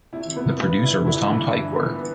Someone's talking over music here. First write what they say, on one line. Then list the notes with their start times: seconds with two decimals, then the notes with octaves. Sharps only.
The producer was Tom Tykwer.
0.13 C3 E4
0.37 B3
0.59 G2
0.83 E4
1.06 D3 E4
1.17 E3
1.28 G2 D3
1.53 E4
1.77 B3